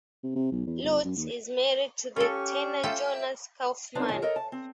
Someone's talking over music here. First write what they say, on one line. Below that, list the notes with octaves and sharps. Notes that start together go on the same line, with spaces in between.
Lutz is married to the tenor Jonas Kaufmann.
C3
C3
B1
E2
G1
F#2
D#2
C#4 F4 G4 A4
F4 G4 A4 E5 G5
F#3 B3 C4 D4 D#4
F#2 A#2 D#3 C#5 A5
A4 A#4 C#5 D#5
A5
C4